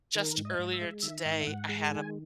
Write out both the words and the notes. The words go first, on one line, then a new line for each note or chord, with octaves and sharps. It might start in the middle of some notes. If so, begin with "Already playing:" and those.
just earlier today, I had a
D#3 A#4
G#2
D#5
G#2
E5
G#3
D#3 E5
G#2
E5
G#2 F#5
G#3
D#3 G#5